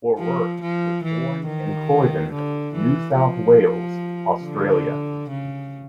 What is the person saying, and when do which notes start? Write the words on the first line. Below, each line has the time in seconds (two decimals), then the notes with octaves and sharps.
O'Rourke was born in Croydon, New South Wales, Australia.
0.19 F3
0.62 F3
1.04 E3
1.47 D#3
2.32 D3
2.74 E3
3.17 F3
4.45 D3
5.30 C#3